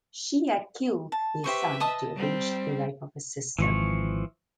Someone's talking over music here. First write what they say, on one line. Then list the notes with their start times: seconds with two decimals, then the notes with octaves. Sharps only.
She had killed their son to avenge the rape of her sister.
1.12 A5
1.44 G4 B4 C5 E5 C#6
1.80 D#5 A5 D#6
2.15 G3 C4
3.59 G#1 E3 F3 C#6